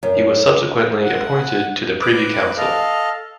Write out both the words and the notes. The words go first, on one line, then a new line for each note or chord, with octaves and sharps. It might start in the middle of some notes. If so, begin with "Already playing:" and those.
He was subsequently appointed to the Privy Council.
F#2
F#5
B4 D6
A4 D#5 F5